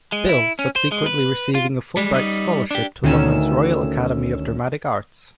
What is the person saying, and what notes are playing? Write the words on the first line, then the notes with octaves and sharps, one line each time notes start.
Bill, subsequently receiving a Fulbright Scholarship to London's Royal Academy of Dramatic Arts.
G#3
E4
C#4
C5
G#3
B4
F4
G3 G#3
G3 D#4
D4 G4
D2 D#3 C#4 E6